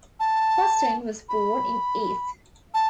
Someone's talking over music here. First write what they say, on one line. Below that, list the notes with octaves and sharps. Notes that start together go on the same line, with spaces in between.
Hustin was born in Ethe.
A5
B5
A5